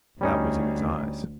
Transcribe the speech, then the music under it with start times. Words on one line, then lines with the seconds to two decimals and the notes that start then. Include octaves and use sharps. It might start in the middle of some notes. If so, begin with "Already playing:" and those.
That was in his eyes.
0.21 D2 G3 C#4 D#4